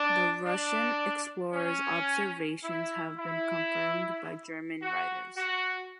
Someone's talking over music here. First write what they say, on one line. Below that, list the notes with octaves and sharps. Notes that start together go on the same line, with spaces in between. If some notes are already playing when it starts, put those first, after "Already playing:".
The Russian explorer's observations have been confirmed by German writers.
Already playing: D4
D4
C#4
E4
E4
F#4
F#4